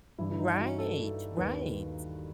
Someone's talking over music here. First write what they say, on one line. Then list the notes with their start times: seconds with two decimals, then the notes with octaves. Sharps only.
Right, right.
0.18 G2 E3 E4
0.32 E4
0.39 D#4
0.58 F#4
0.78 A4
1.37 D#2 D#3 B4